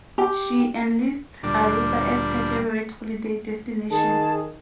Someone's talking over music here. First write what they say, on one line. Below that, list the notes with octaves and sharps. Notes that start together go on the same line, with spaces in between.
She enlists Aruba as her favorite holiday destination.
G4
D2 A#2 G3 D4
D#3 G#4 A5